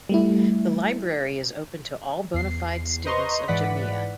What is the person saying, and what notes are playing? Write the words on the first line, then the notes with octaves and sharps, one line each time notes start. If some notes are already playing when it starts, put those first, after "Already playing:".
The library is open to all bona fide students of Jamia.
G3 A3 E4
E2 C7
B4 C5 D#5 A#5 C6 C#6
G#2 E3 B4 D5 F#5 B6